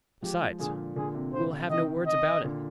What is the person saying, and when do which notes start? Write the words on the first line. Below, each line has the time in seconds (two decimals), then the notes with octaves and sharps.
Besides, we will have no words about it.
0.22 F3 G#3 G4
0.59 A#2 D3 G#4
0.96 A#2 D3 G#4
1.15 C3
1.33 A#2 C5
1.52 C3
1.70 C3 D#3 D#5
2.07 D#5
2.44 A#2 D3